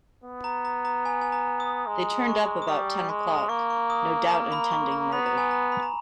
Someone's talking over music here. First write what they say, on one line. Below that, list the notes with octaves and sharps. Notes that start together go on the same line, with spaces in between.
They turned up about ten o'clock, no doubt intending murder.
B3
A#5
A#5
A#5
G#5
G#5
A#5
D#6
G#3
C#6
D#6
G3 C#6
G#3
A#3 C#6
C#6
D#6
A#5
B5
C#6
A#5
B3 B5
A#5
G#5
A#5
B5
A#5